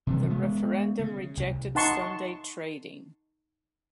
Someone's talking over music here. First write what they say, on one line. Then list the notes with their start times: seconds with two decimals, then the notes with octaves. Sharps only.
The referendum rejected Sunday trading.
0.07 C3 E3 G3
0.30 G#3 B3
0.99 C#3
1.37 C2
1.75 D#4 F#5 A5 C6 C#6